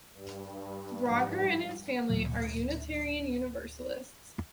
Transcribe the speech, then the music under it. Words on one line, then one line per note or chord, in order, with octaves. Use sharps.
Braugher and his family are Unitarian Universalist.
G2
G#2 F3 G3
D1 A#2 F#3